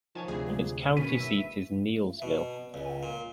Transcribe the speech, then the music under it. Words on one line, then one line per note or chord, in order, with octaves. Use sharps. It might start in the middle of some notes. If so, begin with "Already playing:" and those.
Its county seat is Neillsville.
D#3 F3 C#5 G#5 A5
D2 C3 G#4
F#1 B2 D#3 C#4 B4
E5
B2
C#2
A#2